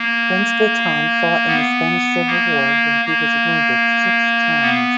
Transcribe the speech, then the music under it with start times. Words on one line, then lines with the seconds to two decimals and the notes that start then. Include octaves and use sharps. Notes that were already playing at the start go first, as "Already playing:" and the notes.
Prince Gaetan fought in the Spanish Civil War where he was wounded six times.
Already playing: A#3
1.47 B3
2.27 A#3
3.05 A#3
4.62 B3